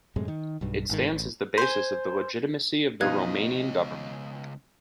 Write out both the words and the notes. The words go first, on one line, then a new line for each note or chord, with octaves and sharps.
It stands as the basis of the legitimacy of the Romanian government.
F#2 A2 C3 G#3
D#3
B1 G2
G#1 G#2 D#3
A1
C5 G#5
C#2 B2 F3 D#4 D#5 F5 F#6 G#6